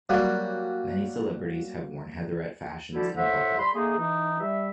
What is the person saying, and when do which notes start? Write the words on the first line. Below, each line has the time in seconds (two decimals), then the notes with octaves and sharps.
Many celebrities have worn Heatherette fashions in public.
0.09 F#3 G3 A#3
2.94 D3 F3 G3 E4 F#4
3.16 A2 C5 E5 F#5
3.57 G3 B5 C6
3.74 A3 A#3 D#4 G#4
3.97 E3 D#4
4.40 G3 E5